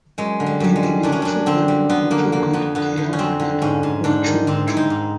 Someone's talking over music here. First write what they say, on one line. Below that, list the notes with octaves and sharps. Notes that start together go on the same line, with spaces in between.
They may be lawful good, neutral good, chaotic good, or true neutral.
F#2 G#3
D3
G3
F#2 G3
G#3
G3
F#2 D4
C#4
F#2 D4
D3 C4
G3
D3 B3
D3 A#3
F2 A#3
F2 B3
D3 B3
D3
C#4
F2 C4
D3
G#2 C#4
G#2
G#2 D4
D#3
G#2 C4
G#2 E4
D#4
G#2